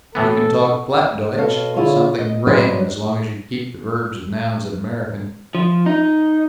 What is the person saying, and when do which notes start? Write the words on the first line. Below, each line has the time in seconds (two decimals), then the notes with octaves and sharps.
You can talk Plattdeutsch something grand, as long as you keep the verbs and nouns in American.
0.15 A2 E3 B3 A4
1.36 B2 A4 C#5 F5
1.76 D3 E4 F4 G#4 C#5
2.19 D#5
2.47 F#3 B4 C5 D5 D#5
5.55 F3
5.86 D#4